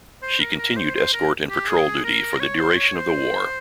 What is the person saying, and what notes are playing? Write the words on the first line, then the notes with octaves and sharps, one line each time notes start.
She continued escort and patrol duty for the duration of the war.
C5
A#4
A#4
C5
C5
A#4
G4
G#4
A#4
C#5
C5
C#5
C5